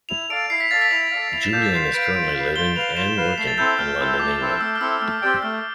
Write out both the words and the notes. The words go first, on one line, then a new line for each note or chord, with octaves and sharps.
Julien is currently living and working in London, England.
E4 F7
A4 D5 F5 D7
E4 C7
B6
A4 D5 F5 A6
B6
E4 F7
A4 D5 F5
E4 F7
E7
A4 D5 F5 G6
A6
F4 C7
B4 F5 D7
F4 D7
B4 F5
F4 G7
B4 F5 F7
F4 E7
B4 F5
A3 C7
A6
C4 E4 A4 G6
A3 F6
C4 E4 A4
A3 D6
C4 E4 A4
A3 E6
F6
C4 E4 A4 E6
A3 F6
C4 G4 D5 G5
A3 F6